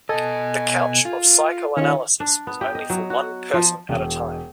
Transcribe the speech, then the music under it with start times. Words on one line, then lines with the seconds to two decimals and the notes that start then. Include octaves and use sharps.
The couch of psychoanalysis was only for one person at a time.
0.09 B2 A4 D#5 G#5
1.05 F4
1.77 D#3 C#4 F4
2.20 D4
2.47 B3
2.61 G4
2.75 D#5
2.90 F#3
3.10 F#4
3.53 F3
3.89 E1